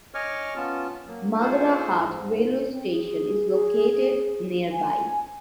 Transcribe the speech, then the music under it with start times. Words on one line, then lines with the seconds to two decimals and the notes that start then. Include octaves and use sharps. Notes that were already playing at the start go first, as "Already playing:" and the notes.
Magra Hat railway station is located nearby.
0.14 C#5 D#5 G#5 C#6 D6 F6
0.56 B3 C#4 F4 A5
1.07 F#3 A#3
1.41 D#4 F4 G#4 A4 C5
1.97 G#2
2.70 C4
2.91 G#4
4.72 G#5